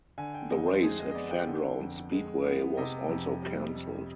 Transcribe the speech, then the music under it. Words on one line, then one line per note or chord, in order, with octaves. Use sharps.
The race at Fairgrounds Speedway was also cancelled.
D3 G#5
G5
F2 D#5
C5
G#3 G#4
D#5
D#5
B3 D5
G5
D3
F2
G#3
B3
C3 D#5
F2
G3
F2